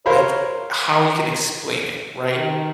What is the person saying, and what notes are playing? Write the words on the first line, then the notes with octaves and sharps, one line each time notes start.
like, how you can explain it, right?
A#4 C5 C#5 F5 B5
D#3